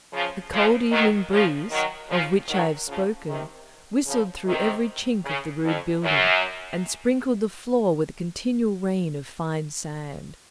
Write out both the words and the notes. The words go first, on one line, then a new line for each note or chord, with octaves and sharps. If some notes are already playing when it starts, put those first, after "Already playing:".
The cold evening breeze, of which I have spoken, whistled through every chink of the rude building and sprinkled the floor with a continual rain of fine sand.
C#3 F3
C#3 F3
D#3 F#3
C#3 F3
D#3 F#3
C#3 F3
D#3 F#3
C#3 F3
C3 D#3
C#3 F3
C3 D#3
C#3
F2
F#2